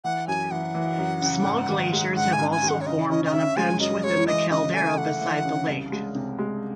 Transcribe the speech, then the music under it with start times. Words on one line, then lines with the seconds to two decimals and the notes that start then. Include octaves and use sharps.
Small glaciers have also formed on a bench within the caldera beside the lake.
0.04 E3 F#5
0.27 F#2 G#5
0.51 E3 F#5
0.74 E3
0.98 F#2
1.22 C#3
1.45 G#2
1.69 D#3
1.93 G#3
2.16 G#2 F#5
2.33 G#5
2.39 G#2
2.51 G#5
2.63 D#3
2.69 F#5
2.81 C#5
2.86 C#3 D#5
3.10 C#4 D#5
3.25 D#5
3.33 C#4 E5
3.57 G#3 G#5
3.80 F#2 D#5
4.04 G#3 C#5
4.27 E3 D#5
4.51 C#3 D#5
4.74 A3 G#5
4.97 A3 F#5
5.21 E3
5.45 C#3
5.69 C2
5.92 G#3
6.15 C3
6.39 G#3